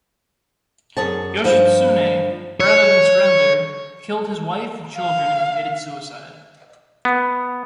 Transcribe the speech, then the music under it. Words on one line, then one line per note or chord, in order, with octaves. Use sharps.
Yoshitsune, rather than surrender, killed his wife and children and committed suicide.
F#2 G#4 C#5 A5
G2 F3
C#5
F5
B3